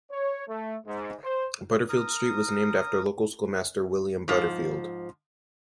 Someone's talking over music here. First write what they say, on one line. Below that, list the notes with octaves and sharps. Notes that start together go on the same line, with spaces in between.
Butterfield Street was named after local schoolmaster William Butterfield.
C#5
A3
G#2
C5
A#4 D#6
G#2 F3